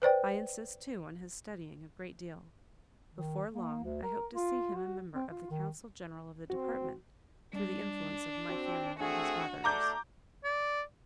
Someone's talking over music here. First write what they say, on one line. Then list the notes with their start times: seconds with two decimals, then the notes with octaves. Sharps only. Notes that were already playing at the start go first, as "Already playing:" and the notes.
I insist too on his studying a great deal. Before long I hope to see him a member of the Council General of the Department, through the influence of my family and his mother's.
0.02 B4 C5 D5 G5
3.14 D#3
3.55 A#3
3.84 D2
4.03 A#4
4.34 F4
4.75 F#4
5.15 C4
5.30 F4
5.50 D#3
6.50 C4 F#4
7.53 G3 D4
8.49 C4 F#4 C5
8.99 A3 C4 D4 F#4 G#4 G#5
9.64 A3 D4 A#5 D6 G6
10.44 D5